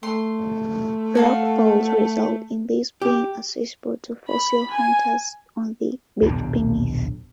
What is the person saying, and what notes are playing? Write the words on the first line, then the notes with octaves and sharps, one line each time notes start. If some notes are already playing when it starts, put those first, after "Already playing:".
Rockfalls result in these being accessible to fossil hunters on the beach beneath.
A3 C6
F#4 A4 F5
G4
B5
G#5
D#1 B1 E2 D4